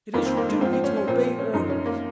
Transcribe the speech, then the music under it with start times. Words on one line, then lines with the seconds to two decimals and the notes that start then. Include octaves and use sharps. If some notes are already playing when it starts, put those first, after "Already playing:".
"It is your duty to obey orders."
0.14 F2 A#3
0.18 D#3
0.25 C4
0.37 A#3
0.49 G#3
0.60 G#2 C4
0.65 F3
0.73 C4
0.84 C#4
0.96 C#4
1.07 A#2 F3 C4
1.23 C4
1.39 C#4
1.53 F#2 F3 D#4
1.70 C#4
1.86 A#3